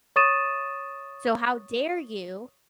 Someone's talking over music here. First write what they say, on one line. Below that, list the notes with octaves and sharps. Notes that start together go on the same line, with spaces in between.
So how dare you?"
C#5 C#6 D#6 A6 D#7 E7